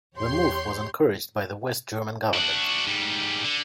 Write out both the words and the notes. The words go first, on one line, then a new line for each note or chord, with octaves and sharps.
The move was encouraged by the West German government.
E2 G4 C#5 C6 G6
D4 F#4
G#2 G3
D3